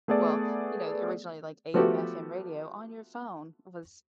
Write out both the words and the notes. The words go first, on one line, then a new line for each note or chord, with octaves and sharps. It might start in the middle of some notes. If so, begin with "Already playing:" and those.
well, you know, originally like AM/FM radio on your phone was
A3 B3 G#4 A4 D5
F3 A3 B3 F#4 G4 A4